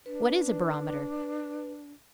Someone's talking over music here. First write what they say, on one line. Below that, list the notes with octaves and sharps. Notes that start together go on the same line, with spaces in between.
What is a barometer?
D4 B4